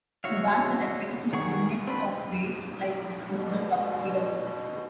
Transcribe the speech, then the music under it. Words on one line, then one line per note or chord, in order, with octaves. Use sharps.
The ban is expected to eliminate of waste like disposable cups yearly.
F#4 C#5 E5 F5
D#3 G#4 F#5 C#6
C4 D4 B4
B2 G#3 D5